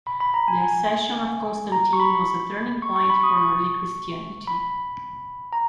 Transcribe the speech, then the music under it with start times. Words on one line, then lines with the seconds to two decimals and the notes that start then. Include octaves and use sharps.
The accession of Constantine was a turning point for early Christianity.
0.07 B5
0.20 B5
0.34 A#5
0.48 G#5
0.62 G#5
1.72 A#5
1.93 C#6
2.00 B5
2.82 C#6
2.96 C#6
3.10 B5
3.18 C#6
3.24 D#6
3.37 C#6
4.47 B5
5.53 A#5